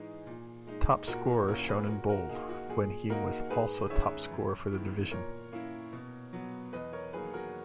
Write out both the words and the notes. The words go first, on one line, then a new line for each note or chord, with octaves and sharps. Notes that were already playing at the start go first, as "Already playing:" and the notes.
Top scorer shown in bold when he was also top scorer for the division.
Already playing: G#2 E3 G#3 D#4 G#4
A#2
G#3 D#4
A#2 F#4 A#4
F#4
A#3 C#4 E4 A#4 C#5
G#4 B4
A#2 F#4 A#4
F#4 A#4
A#3 D#4 G#4
F#4
A#2 G#4
A#3 D#4 F#4 A#4
G#2 G#4 B4
D#3 G#3 C#4 C#5 E5
F#2
D#3 G#3 B3 E4
A#2 A#4 C#5
A#3 C#4 E4
B2
F#3 B3
E2 B4 D#5
A#4 C#5
D#3 F#3 A#3 G#4 B4
F#4 A#4